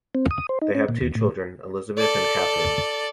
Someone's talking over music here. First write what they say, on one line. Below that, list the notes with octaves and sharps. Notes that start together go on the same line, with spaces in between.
They have two children, Elizabeth and Catherine.
C4
D#6
C5
D#4
C#4
A#2
D#2
A2
A4 D5